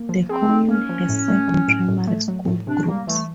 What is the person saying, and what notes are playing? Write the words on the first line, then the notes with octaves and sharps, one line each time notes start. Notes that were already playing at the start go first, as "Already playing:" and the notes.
The commune has seven primary school groups.
Already playing: A#3
F3
C4 G#4
D#4
A#3 C#4
F3
A2
A3
F#3
A2
A2
A3
F#3
A2
C3 D4
G3 A#3
E3 A3